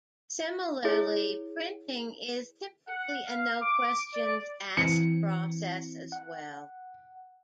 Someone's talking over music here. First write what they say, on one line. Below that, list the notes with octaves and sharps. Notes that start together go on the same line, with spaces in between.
Similarly, printing is typically a 'no questions asked' process, as well.
E4 G#4 C#5
F#5
F5
D6
D5
E3 C4 C#7
F#5